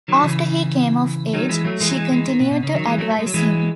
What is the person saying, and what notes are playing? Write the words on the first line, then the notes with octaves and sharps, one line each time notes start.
After he came of age, she continued to advise him.
D#3 F#3
C#3 E3
D#3 F#3
E3 G#3
F#3 A3
E3 G#3
F#3
E3 G#3
E3 G#3
D#3
B2
B2
C#3
D#3 F#3
E3 G#3
F#3 A3
A3
G#3
F#3
E3 G#3